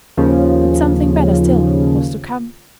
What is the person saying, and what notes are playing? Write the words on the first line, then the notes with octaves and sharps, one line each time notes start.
But something better still was to come.
D#2 C#3 F3